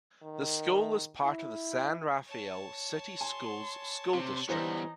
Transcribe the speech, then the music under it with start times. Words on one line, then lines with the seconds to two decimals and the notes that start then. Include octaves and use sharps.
The school is part of the San Rafael City Schools school district.
0.23 D#3
1.23 E4
2.27 C#5 A5
3.21 G#5 C6
4.14 C3 C5
4.49 E3 G3 B3 D#4 C5 A#6